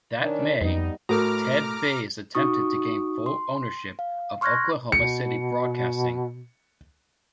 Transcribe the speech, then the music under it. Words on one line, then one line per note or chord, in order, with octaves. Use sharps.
That May, Ted Baze attempted to gain full ownership of Oklahoma City Broadcasting.
D#3 C#4 D4
F2 G3 B3 D#4
A2 F#4 A#4 A#5 D6 F6
D#4 F#4 C#6 D#6
C6
F5
C6 C#6 F6 F#6 G#6 A#6
B2 C#7